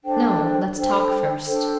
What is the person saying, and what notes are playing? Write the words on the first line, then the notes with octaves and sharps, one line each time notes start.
'No, let's talk first.'
D4 A4 C5 G5
D4 A4 C5 G5
D4 A4 C5 G5